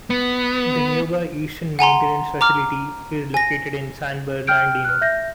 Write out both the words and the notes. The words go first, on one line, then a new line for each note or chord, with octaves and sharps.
The nearby Eastern Maintenance Facility is located in San Bernardino.
B3
F#5 G#5 A#5 C6
A#5 D6 F6
G#5 A#6
G5 F6 G6 D7
F6 F#6
E5 G6 A#6